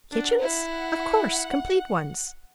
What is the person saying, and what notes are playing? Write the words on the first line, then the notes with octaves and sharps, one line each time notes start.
"Kitchens?--of course--complete ones."
D4 F#5
E4
F#5